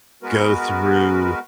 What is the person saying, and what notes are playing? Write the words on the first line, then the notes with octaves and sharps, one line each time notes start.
go through
G#3 B3 F#4 A#4 B4